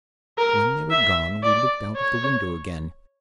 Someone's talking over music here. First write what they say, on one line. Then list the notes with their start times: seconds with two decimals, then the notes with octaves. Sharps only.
When they were gone we looked out of the window again.
0.38 A#4
0.90 E5
1.43 D5
1.96 C#5